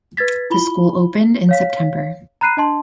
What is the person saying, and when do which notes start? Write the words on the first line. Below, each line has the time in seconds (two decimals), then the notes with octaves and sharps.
The school opened in September.
0.17 B4 G#6 A6 B6
0.50 E4 F4 B5 G7
1.49 C#5 F5 B6
2.41 A#5 B5 F#6 C7 D#7
2.57 D4 D#5 A5 C6